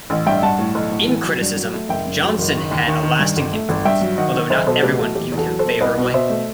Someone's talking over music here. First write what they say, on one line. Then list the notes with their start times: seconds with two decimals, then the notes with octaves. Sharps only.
In criticism, Johnson had a lasting influence, although not everyone viewed him favourably.
0.10 A1
0.26 G2 E5 G5
0.43 G2 F#5 A5
0.59 A2
0.75 B1
0.92 A2
1.08 E3
1.24 F#3
1.41 G2
1.57 F#3
1.73 A3
1.89 F#1 E5 G5
2.06 F#2
2.22 F#3
2.38 F#1
2.55 D#3
2.71 D#2
2.88 D#3
3.03 D#3
3.19 G2
3.36 G1
3.53 A3
3.69 G1
3.85 G2 E5 G5
4.01 F#3
4.18 D#3 D#5 F#5
4.34 D#3
4.50 B1 C5 E5
4.67 B2 A4 C5
4.83 A3 G4 B4
4.99 B1 F#4 A4
5.15 E2 G4
5.32 E2
5.38 F#4 A4
5.48 F#3
5.59 A4 C5
5.65 B2
5.81 C2 B4 D#5
5.98 B2
6.14 B2 C5 E5
6.30 A3